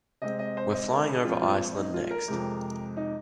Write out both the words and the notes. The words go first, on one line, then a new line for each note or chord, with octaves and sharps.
We're flying over Iceland next.
C3 G#3 C4 D#5
D#5
C5
D#5
A#4
G#4
A#2 F3 G#3 C4 F4
F4
D#4
F4
A#4
F2 C3 G#3
D#4